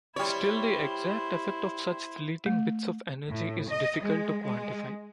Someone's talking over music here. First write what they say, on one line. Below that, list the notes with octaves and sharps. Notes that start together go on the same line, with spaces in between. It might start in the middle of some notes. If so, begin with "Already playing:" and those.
Still, the exact effect of such fleeting bits of energy is difficult to quantify.
G3 E4 C5 C#5
A3
A2
D#5
G#3
G#3